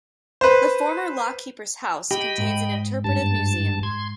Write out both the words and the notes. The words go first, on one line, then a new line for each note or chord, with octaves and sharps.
The former lock-keeper's house contains an interpretive museum.
B4 C5
G4 D#5 G5 B5
G#2
G2 A5
C6 G#6